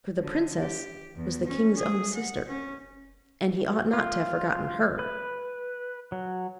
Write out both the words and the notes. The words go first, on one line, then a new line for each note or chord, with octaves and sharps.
For the princess was the king's own sister; and he ought not to have forgotten her.
D3
G4
E2
C#4
G#4
F#5
C#4
F4
B4
F#3